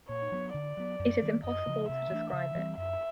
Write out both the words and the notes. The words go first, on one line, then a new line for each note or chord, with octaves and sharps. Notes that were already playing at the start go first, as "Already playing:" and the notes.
It is impossible to describe it.
A#2 C#5
F#3 B3
D3 D5
F#3 B3
F#2
D#3 G3 B3
F#2 D#5
C#3 F3
C3 E5
E3 A3 D4
C#3 E5
E3 G3 C4
F#2 E5